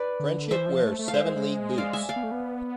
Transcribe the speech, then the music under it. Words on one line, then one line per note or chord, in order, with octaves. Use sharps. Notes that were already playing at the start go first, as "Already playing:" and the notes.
Friendship wears seven-league boots.
Already playing: B4 D5
D3
E3 C5 E5
F3
A3
A3
F5
G#3 C5 E5
G#3
G#3
D5 F5
E5 G#5
D5 F5
B3
A3
B3